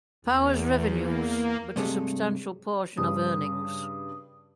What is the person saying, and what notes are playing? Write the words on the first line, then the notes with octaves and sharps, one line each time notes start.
Power's revenues, but a substantial portion of earnings.
E2
A#3
G2 C3 G#3 A3
G2 C#3 D#6